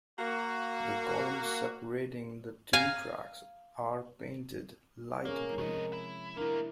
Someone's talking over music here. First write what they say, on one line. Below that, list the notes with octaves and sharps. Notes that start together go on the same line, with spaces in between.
The columns separating the two tracks are painted light-blue.
A#3 F#4
F5 G#5 A#5
A#3 C#4 G#4 A#4 C#5
A2 C3 F3 G#3 D#5
E4
D#3 A#3 D4 E4 A#4